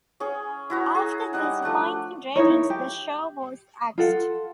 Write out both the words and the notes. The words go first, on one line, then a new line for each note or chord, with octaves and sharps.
After disappointing ratings, the show was axed.
C#4 G#4 C#5
E4 F#4 A#5
G#4
G3 D#4 F#5
F3 A3 D4 F#5
D#4 E4 A#4 C#5
G4
F4 A4 F#5